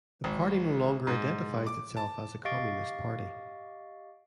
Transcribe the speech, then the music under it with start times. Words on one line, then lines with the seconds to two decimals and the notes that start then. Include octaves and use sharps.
The party no longer identifies itself as a communist party.
0.24 G#1
1.07 G#2
1.67 D6
1.97 A5
2.45 G4 D#5 F5 C#6 A6 D7